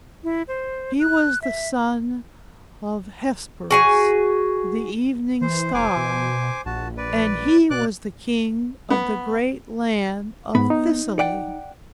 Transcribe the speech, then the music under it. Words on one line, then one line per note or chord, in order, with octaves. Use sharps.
He was the son of Hesperus, the Evening Star, and he was the king of the great land of Thessaly.
E4
C5
F#6
E5
F#4 G#4 G#5
E3 C5
F1 C5 G#5 D6
B2
A#1 F#4 A5
B4 D5
B2 D5 D6 F#6
B3
G#2 B3 B5
D#4
D5 F#5 G5